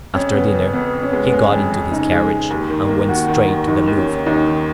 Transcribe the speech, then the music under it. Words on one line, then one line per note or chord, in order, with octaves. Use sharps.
After dinner, he got into his carriage, and went straight to the Louvre.
F2 C#4
C#3 B3
F2
F2 B3
F2
C#4
B3
G#3
B3
G#3 C#4
F2
F2
C#3 D#4
G#3
G#3
D#2
D#3
A#3
D#2 F#4
D#3
D#2
D#2 D#4
D#2
C#4
D#3
D#2 D#4
D#3